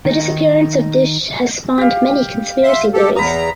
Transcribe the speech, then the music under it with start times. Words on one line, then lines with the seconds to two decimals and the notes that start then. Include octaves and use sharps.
The disappearance of Disch has spawned many conspiracy theories.
0.05 D#3 D#4
1.78 G4 F5
2.63 E5 C6
2.93 G4 A4
3.16 E2 A#5 B5 D#6